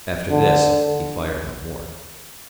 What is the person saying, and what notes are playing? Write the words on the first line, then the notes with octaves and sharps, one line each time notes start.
After this he fired no more.
D3